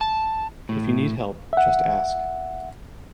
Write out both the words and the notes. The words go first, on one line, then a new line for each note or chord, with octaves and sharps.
If you need help, just ask.
A5
A2
E5 F#5